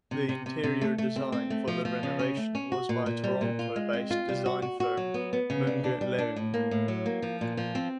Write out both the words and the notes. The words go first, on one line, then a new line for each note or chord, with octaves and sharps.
The interior design for the renovation was by Toronto-based design firm, Munge Leung.
C3
C3
C3
C3
A3
A3
C4
C4
A3
F3
F3
C#3
C#4
A3
C#4
F#4
A#2
A#2
G3
A#2
F4
G#3
C4
F4
G3
F#4
F#4
F#4
F#3
B3
B3
C#3
D4
D4
G3
D4
A2
A#3
A2
F#3
A#3
F3
A#2
F3
C4